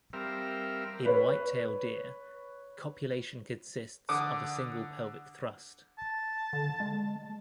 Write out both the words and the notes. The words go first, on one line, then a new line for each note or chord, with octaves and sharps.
In whitetail deer, copulation consists of a single pelvic thrust.
G3 C4 A#4 E5 F5
B4 C#5
D3 F#5 D6 D#6
A5
D3
G#3